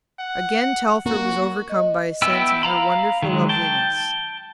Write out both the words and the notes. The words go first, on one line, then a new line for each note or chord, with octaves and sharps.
Again Telford was overcome by a sense of her wonderful loveliness.
F#5
A#3 F#4
D#5
B3 E4 G5 E6
F5 A#5 B5
D#3 F#3 G#3
G5 A5